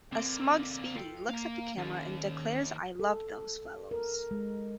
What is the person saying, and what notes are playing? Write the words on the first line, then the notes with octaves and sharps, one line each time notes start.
A smug Speedy looks at the camera and declares I love those fellows.
D3 A#3 C4
F4 A4 G5
A#3 F5 A#5
D#2 D#3 C#4 G#4
A4
A#4
G#3